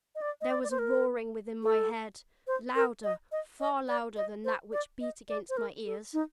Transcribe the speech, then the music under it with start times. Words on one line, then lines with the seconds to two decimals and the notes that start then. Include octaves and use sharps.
There was a roaring within my head--louder, far louder, than that which beat against my ears.
0.15 D#5
0.22 D5
0.41 D#5
0.50 D5
0.64 D5
0.71 C5
0.79 A#4
1.63 A4
2.47 C5
2.76 A#4
3.04 D#5
3.32 D#5
3.60 D#5
3.88 D5
4.16 D#5
4.45 C5
4.73 D5
5.01 D#5
5.29 D5
5.49 C5
5.57 A#4
5.86 A4
6.13 D#4